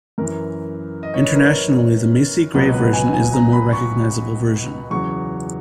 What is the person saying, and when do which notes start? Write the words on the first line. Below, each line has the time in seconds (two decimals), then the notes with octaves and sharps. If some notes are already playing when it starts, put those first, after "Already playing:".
Internationally, the Macy Gray version is the more recognizable version.
0.18 F#2 E3 A#4
1.03 D#5
1.14 C#5
1.25 B4
1.36 A#4
2.54 C#2 B2 F#3 B4
2.74 B4
2.93 G#5
3.14 G#5
3.33 A#5
3.52 B5
3.73 C#6
4.91 E2 C#3 F#3 C#6